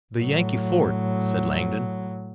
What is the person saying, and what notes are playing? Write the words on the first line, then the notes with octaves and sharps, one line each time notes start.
"The Yankee fort," said Langdon.
A2 F#3